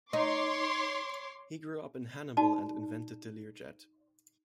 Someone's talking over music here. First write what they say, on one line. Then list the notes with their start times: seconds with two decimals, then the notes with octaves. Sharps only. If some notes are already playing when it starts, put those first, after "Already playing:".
He grew up in Hannibal and invented the Lear Jet.
0.13 D#4 C#5 C6 D6
2.37 D#4 F#4 D5 A5